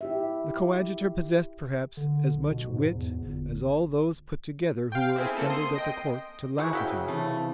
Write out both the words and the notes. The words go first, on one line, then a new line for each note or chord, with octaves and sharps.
The coadjutor possessed, perhaps, as much wit as all those put together who were assembled at the court to laugh at him.
E4 G4 E5
D3
B1
B2
G#2
E2
G1
F5 G5
C4 E4 G#4
A#3 C4 A4
C6 D#6
D#5 G5
D#3 E4 G#4 C#6
C#3 F#4 E5 G5
C3 E3 A3